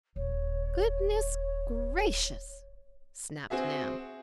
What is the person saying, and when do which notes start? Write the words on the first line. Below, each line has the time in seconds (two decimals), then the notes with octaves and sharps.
"Goodness, gracious!" snapped Nan.
0.16 D#1 C#5
3.50 C4 F#4 G#4 E5